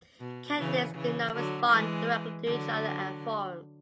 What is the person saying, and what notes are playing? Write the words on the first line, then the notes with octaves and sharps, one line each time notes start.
Candidates do not respond directly to each other at forums.
B2
C#3 E3
C#3 E3
D3 F#3
E3 G#3
D3 F#3